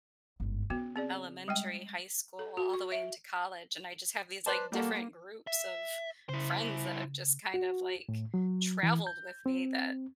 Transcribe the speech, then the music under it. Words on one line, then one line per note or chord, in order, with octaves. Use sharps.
elementary, high school, all the way into college. And I just have these, like, different groups of friends that have just kind of, like, traveled with me that
G1 G#2
C#3 B3 F#4
C4 G#4 D5
G3 G#3 G5
A4
F#4
C#6
E5
B4 C5 D5 A5
G3 A#3 F#4 A4
A#3
E5
C#3 E4 C5
F#4
A2
F#3
E3
G6
C4